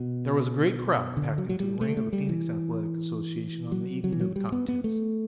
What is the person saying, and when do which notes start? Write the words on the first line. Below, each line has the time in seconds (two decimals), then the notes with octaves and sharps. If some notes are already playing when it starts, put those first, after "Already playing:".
There was a great crowd packed into the ring of the Phoenix Athletic Association on the evening of the contest.
Already playing: B2
1.17 D3
1.38 F#3
1.49 F#3
1.60 G3
1.81 A3
1.97 A3
2.13 G3
2.29 E3
3.72 F#3
4.04 F#3
4.12 E3
4.20 F#3
4.36 G3
4.52 B3
4.68 B3
4.84 A3